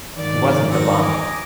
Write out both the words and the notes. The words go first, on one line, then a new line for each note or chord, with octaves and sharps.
He wasn't a bum.
F2 G#2 D#3 D5
C4 D#4 F#4
D#5 G#5 D6